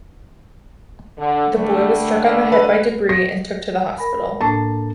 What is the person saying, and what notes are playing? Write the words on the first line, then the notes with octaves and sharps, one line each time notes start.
The boy was struck on the head by debris and took to the hospital.
D3
D3 G3 A3
B4
A#6
A#4 G#5 B5
A2 A#3 D4 A5